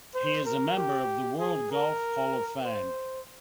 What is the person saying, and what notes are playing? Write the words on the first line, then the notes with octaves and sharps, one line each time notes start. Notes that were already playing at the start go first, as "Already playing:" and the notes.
He is a member of the World Golf Hall of Fame.
C5
A#4
G4
G#4
A#4
C5